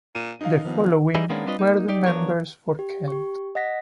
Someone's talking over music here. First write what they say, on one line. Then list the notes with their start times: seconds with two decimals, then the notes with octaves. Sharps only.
The following were the members for Kent.
0.15 A#2 D#7
0.41 F#2 D#4 F5
0.64 G2 D#3 F3 B3
1.15 E3 G3 D#4 E4 G#4
1.29 D#3 G#3 A#3 B3 C#4 D4
1.46 G3 C4 D4 F4 B4 D#5
1.59 A#3 D#4
1.88 D#4 G4 D5
2.06 F3 F#3 B3 D4 A#4 C#5
2.79 G4
3.08 G4 C#6
3.55 D#5 F#5 A#6 B6